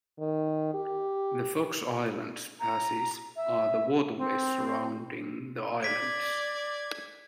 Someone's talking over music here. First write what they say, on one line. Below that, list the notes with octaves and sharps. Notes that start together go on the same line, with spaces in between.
The Fox Islands Passes are the waterways surrounding the islands.
D#3
G4
A#5
E5
C4
D5 G#6 B6 D7